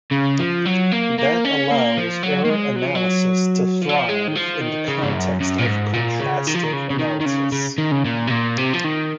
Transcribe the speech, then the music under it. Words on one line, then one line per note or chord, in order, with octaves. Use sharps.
That allows error analysis to thrive in the context of Contrastive Analysis.
C#3
F3
F#3
A#3
A#3
C#4
A#3
F3
F#3
A#3
G#3
F#3
F3
F#3
F3
F#3
F3
G#3
D#3
F3
D#3
C#3
G#2
F#2
F#2
A#2
G#2
A#2
C#3
D#3
F3
D#3
C#3
C#3
D#3
D#3
C#3
C#3
D#3
C#3
A#2
C3
A#2
C3
F3
D#3